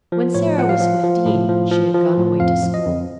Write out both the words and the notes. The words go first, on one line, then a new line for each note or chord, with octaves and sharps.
When Sara was fifteen she had gone away to school.
F3
A2 C#5
F3 F#5
F5
F3
F3
A2
F3
F3
F3
A2
F2 F5
F3
D#5
F2